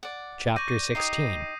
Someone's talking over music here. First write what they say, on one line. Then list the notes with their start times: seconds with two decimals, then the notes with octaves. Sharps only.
Chapter XVI.
0.03 D5 F#5
0.56 D5 C#6 G6 A#6 D#7
0.95 D#4 G4 D#5 D#6 C7